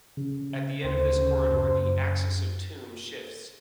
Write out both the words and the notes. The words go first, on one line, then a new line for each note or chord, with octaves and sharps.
At the end of this corridor the axis of the tomb shifts.
C#3
C#3
D2 C5
C#3
F#2
F#2